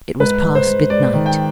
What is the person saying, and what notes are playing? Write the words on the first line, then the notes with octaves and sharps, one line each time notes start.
It was past midnight.
G#2 B4
G#2
C5
G#2
G#3 D5
D#3
G5